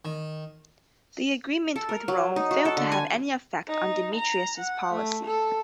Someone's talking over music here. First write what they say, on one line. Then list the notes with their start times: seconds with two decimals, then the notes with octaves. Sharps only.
The agreement with Rome failed to have any effect on Demetrius' policy.
0.05 D#3
1.76 A4
1.89 A#4
2.08 F#3
2.36 D#4
2.51 F#4
2.65 A4
2.77 D3
2.92 G#5
3.68 D#4
4.15 A#5
4.58 F#5
4.92 A3
5.26 A4